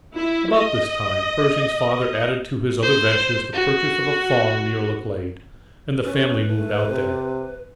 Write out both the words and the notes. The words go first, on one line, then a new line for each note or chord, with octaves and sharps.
About this time Pershing's father added to his other ventures the purchase of a farm near Laclede, and the family moved out there.
E4
D#5
C5
F#4
C#4 B4
A3
C3